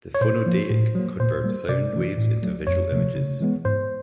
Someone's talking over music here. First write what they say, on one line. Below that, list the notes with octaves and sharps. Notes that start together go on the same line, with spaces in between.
The Phonodeik converts sound waves into visual images.
C#5
A#2 C5
F3 A#3
A2
F#3 A#3
A#2 C5
G3 A#3
C3 D5
E3 A3
A2
F#3 A3
F2 C#5
C3 F3 A3
C#3
E3 G#3 B3
G#2 C5